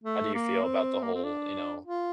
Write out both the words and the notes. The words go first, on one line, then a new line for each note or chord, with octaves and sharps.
how do you feel about the whole, you know,
A3
A#3
C4
A#3
C4
D4
F4